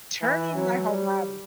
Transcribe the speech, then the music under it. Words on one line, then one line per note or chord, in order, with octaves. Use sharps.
turning my whole body?
E3
F#3
G3